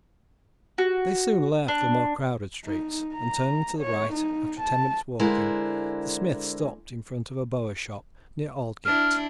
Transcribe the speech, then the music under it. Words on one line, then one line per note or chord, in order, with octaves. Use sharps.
They soon left the more crowded streets, and turning to the right, after ten minutes walking, the smith stopped in front of a bowyer shop near Aldgate.
F#4
D4
D#4
A#5
C#5
D#4
A5
D3 G#3 E4 A#4 C5
D4 E4 F6